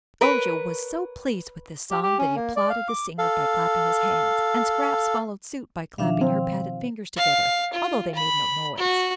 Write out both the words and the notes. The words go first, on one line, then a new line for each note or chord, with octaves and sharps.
Ojo was so pleased with this song that he applauded the singer by clapping his hands, and Scraps followed suit by clapping her padded fingers together, although they made no noise.
A#4 B4 C#5
G4
G4
C#4
A#3
D5
F5
D6
A4 F5
B2 D#3 F3 D4 E5 F5
C4 F5
F5
F4
B5
F#4